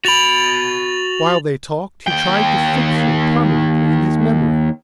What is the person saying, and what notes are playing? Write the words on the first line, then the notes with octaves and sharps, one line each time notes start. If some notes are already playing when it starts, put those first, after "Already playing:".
While they talked he tried to fix her permanently in his memory.
F#4 B5 A6 F7 F#7
D#2 G5